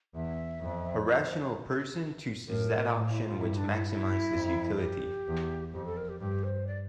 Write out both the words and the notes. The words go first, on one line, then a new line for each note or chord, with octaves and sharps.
A rational person chooses that option which maximizes utility.
E2 E5
F2
D5
C5
A2 A#4
A2
E4
F4
G2 E4
D4
E4
E4
F2
A4
G4
E2
F2 G4
A4
A#4
G4
G2 G4
C5
D5